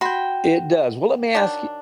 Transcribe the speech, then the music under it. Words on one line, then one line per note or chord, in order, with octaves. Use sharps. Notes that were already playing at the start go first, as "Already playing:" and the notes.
It does, well, let me ask y
F#4 G5 B5 C6
D#3 F#3 D4